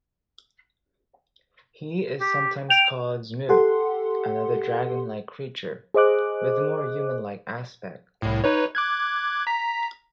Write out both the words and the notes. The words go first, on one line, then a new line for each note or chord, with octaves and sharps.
He is sometimes called "zmeu", another dragon-like creature, with more human-like aspects.
G4
G5 F7
G4 A4 F#5 C6
G#4 C5 D#5 D6 F#6
C2 A2
D#4 B4 C#5
D6 F#6 G#6
A#5 B6